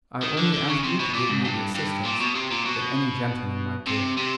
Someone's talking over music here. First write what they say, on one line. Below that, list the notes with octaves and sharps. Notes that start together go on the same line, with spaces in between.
"I only ask you to give me the assistance that any gentleman might give."
D#3
D3
D3
C#3
C3
B2
A#2
G#2
G2
G2
A#2
B2
C3
A#2
B2
C3
C3